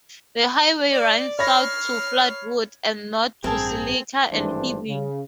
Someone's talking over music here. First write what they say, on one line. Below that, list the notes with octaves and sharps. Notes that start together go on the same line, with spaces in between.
The highway runs south to Floodwood, and north to Silica and Hibbing.
D5
C#5 B5 F6 A#6 C7
A1 G2 C4 G#4 A#4 F5 A5
G#1 G2 E3 A3 D4 C5
C#3